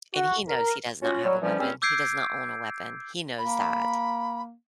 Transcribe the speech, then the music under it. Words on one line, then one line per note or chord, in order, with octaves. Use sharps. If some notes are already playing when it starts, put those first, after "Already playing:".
And he knows he does not have a weapon, he does not own a weapon, he knows that.
F#4
A#4
C#4 F4 F#4
F#3 G3
D3 E3 F3 G3 C#4
C#2 G3 C4 C#4
D6 E6 G6 G#6 C7 D7
A#3 B5